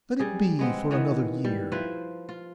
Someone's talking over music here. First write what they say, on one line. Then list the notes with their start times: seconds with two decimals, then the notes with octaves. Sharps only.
Let it be for another year.
0.19 G3 G#4
0.59 G#3 B3 C4
0.91 D#3 E3 B3
1.45 G3
1.72 F3 E4 B4 C5
2.29 F4